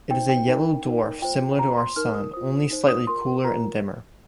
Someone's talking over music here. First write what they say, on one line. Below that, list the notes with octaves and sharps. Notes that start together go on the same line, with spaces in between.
It is a yellow dwarf similar to our Sun, only slightly cooler and dimmer.
D#4 C5 G5
G5
D#4 A#4
D#4 A#4
F4 C5 G5
F4 C5 A#5
C6
D#4 A#4 F6
D#6
F4 C5 D#6
D#4 C5
D#6
F4 A#4 C6
F4 A#4 A#5